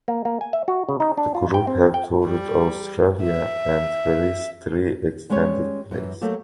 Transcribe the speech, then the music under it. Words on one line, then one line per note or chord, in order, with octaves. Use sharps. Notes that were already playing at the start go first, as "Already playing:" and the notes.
The group have toured Australia and released three extended plays.
A#3
A#3
G#5
E5
F#4
C#3
D#4
D4
F4
G5
C4
G5
G3
E5
G3 G#3 C#4 G4 C#5
F#2 E3
F#3 A3 A#3 G4